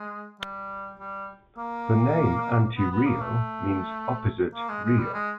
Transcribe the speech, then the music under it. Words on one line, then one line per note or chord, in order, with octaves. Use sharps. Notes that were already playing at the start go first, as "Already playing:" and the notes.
The name Antirrio means "opposite Rio".
Already playing: G#3
G3
G3
A#3
B3
B3
A#3
A3
A#3
G#3
G#3
G3
G#3